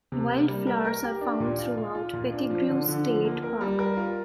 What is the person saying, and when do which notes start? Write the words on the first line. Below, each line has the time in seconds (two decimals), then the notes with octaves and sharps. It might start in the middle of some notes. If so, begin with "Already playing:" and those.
Wildflowers are found throughout Pettigrew State Park.
0.12 C3
0.30 A#3
0.48 G3
0.67 A#4
0.85 A#4
1.03 G4
1.21 D4
1.40 A#2
1.59 F4
1.77 F4
1.95 F4
2.13 A#2
2.32 D4
2.50 F3
2.69 D3
2.88 D3
3.06 F3
3.25 A#3
3.42 A#4
3.61 G3
3.79 A#4
3.97 F4